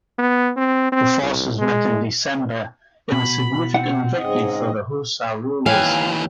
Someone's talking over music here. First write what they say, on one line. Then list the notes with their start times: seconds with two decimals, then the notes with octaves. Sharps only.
The forces met in December in a significant victory for the Hausa rulers.
0.18 B3
0.57 C4
0.92 C4
1.22 C2
1.59 G#3
3.12 B2 B5
3.74 C4 F#5
4.19 G#2 C#3 C4 G#4 D#5
5.66 D#2 E3 C#5 F5 G5 G#5